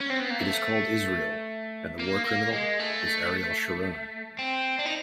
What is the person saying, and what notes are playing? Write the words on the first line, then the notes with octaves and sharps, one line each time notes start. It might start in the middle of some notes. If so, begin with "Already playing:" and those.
It is called Israel, and the war criminal is Ariel Sharon.
C#4
C4
B3
A#3
A3
A#3
A#3
G#3
A3
C4
D4
D#4